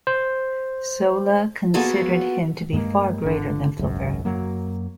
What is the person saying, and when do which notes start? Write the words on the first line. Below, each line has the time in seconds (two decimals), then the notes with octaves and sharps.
Zola considered him to be far greater than Flaubert.
0.07 C5
1.74 A#3 B3 F4 F#4 G#4 A4
2.73 G2 G#3 A#3
3.23 G1 D3
3.79 G#1 C#2 F#2
4.25 F#2 F#3 A#3